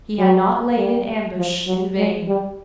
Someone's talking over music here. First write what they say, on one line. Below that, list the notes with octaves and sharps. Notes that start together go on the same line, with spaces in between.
He had not lain in ambush in vain.
F#3
G3
F3
F#3
G#3
G3